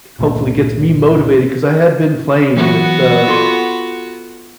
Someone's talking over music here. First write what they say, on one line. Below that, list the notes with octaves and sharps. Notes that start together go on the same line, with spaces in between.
hopefully gets me motivated 'cause I had been playing with, uh,
G1 C#2 A#2 A3
E3 F#3 B3 F#4
F4 A4 C6